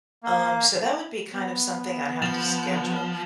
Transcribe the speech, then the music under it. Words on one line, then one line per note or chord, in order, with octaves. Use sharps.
um, so that would be kind of something I'd have to schedule,
A#3
B3
F3 A6 E7 F7